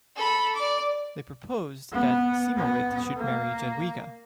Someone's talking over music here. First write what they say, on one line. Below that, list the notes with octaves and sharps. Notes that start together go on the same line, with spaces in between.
They proposed that Siemowit should marry Jadwiga.
A4 B5
D5 D6
B3
B3
A#3